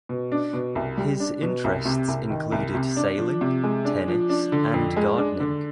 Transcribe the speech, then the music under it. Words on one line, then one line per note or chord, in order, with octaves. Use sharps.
His interests included sailing, tennis and gardening.
B2
D4
B2
C2
G3
D4
B2
C2
C3
C2
D#3
C2
C3
D4
F3
C3
G#3
D4
F3
D4
D3
F2
G#3
D4
D3